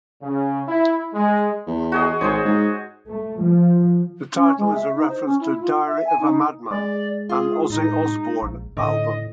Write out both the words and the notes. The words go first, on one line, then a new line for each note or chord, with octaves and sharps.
The title is a reference to "Diary of a Madman", an Ozzy Osbourne album.
C#3
E4
G#3
E2
F#4 G#4 D#5
G#1 G#4 C5 C#5
G#2
A3
F3
C#4
G#3
E5
D#4
C5
C#4
E4
F4
E5
G#5
D#4
G#3 D5
F4 G#4
A2 D#4
A#1
A2 D3 D#5